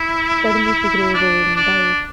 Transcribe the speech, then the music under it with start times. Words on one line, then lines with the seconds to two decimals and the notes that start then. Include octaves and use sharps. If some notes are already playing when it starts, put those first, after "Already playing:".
Suddenly she grows old and dies.
Already playing: E4
1.14 D4
1.56 D4